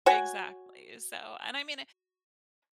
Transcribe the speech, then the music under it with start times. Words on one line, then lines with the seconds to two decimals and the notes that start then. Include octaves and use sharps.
exactly, so and, I mean,
0.06 F#4 C#5 F#5 G#5